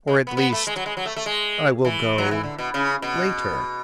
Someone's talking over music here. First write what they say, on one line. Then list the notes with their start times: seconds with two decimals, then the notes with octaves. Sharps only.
"Or, at least, I will go--later."
0.08 G#3
0.27 B3
0.37 B3
0.52 A3
0.67 G#3
0.76 F#3
0.86 G#3
0.97 F#3
1.05 A3
1.16 A3
1.26 G#3
1.85 E3
2.18 F#3
2.31 E3
2.44 D3
2.58 B2
2.74 C#3
3.02 B2